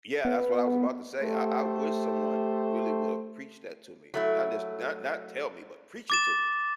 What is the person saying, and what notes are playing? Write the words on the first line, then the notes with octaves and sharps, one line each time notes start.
Yeah, that's what I was about to say, I I wish someone really would've preached that to me. Not just not not tell me, but preach it to me,
B3
A3 G4 C5
F#3 A3 E4
D6 A6 E7